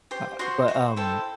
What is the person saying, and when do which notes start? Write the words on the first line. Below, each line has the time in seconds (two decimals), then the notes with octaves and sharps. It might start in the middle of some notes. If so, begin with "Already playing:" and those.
Uh, but, um,
0.11 G4 C5
0.39 F#4 C5 C6
0.68 F#4 C5
0.96 E4 A4 C5 G5